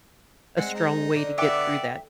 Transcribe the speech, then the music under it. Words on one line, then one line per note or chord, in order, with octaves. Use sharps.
a strong way to get through that
G#3 C4 F#5
D#4
D3
B3 D5 E5 G5 D6